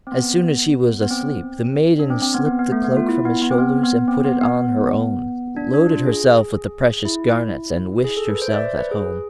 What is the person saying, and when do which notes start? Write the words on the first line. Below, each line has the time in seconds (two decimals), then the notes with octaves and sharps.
As soon as he was asleep, the Maiden slipped the cloak from his shoulders and put it on her own, loaded herself with the precious garnets, and wished herself at home.
0.07 C4
0.12 B3
1.01 B3
1.10 C4
1.99 D4
2.10 C4
2.22 C4
2.35 B3
2.47 B3
2.59 B3
2.72 A3
2.84 B3
2.97 F4
3.09 E4
3.25 B3
3.42 B3
3.51 C4
3.58 B3
3.84 B3
4.08 C4
4.25 B3
4.41 B3
5.56 D4
5.74 D4
5.90 F4
6.06 G#4
7.05 E4
8.04 G#4
8.17 A4
8.29 B4
8.42 C5
8.49 E5
8.54 D5
8.66 C5
8.78 B4
8.91 G#4